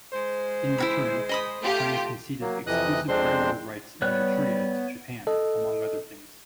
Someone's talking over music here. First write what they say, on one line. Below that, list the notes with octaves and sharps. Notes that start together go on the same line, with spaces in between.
In return, China conceded exclusive railroad rights in Manchuria to Japan, among other things.
G#3 C5
E4 F#4 B5
D#5 B5 D#6
A3 F4 G4
F#3 A#3
F2 C3 E3 D#5 D#6 F#6
F2 G#3 C4 D4 C5 C6
G3 B3 C#5 F#6
A4 D#5